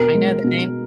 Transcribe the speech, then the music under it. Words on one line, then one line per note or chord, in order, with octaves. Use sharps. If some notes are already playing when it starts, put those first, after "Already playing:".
I know the name
Already playing: B2 A#4
G#3
B2